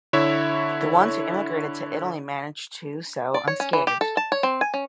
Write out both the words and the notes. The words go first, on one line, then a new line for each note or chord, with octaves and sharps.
The ones who emigrated to Italy managed to so unscathed.
D3 E4 C#5 E5
D5
C#5
C#4
E3
G4
A4
A5
C#5
C4
G#5
C#4